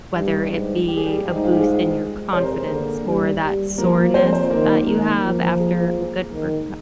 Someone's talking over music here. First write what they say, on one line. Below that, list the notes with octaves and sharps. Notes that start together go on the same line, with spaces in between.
whether it be a boost in your confidence or that soreness that you have after a good workout.
G2 G3 G4
G#2
G4
G#4
G3 G4
G#2
D#4
F4
G4
G#3 G#4
C3 C5
A#4
G#4
A#3 A#4
D3
G3
G3
F3 A#3 A#4
F3 C4 C5
C4 C5
D#3 A#3 A#4
D#3 A#3 A#4
F3
G#3 G#4
D#3